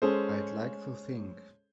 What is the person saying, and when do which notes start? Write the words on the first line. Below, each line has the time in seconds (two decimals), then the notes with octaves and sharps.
I'd like to think.
0.02 G#3 C#4 G#4 A4 C5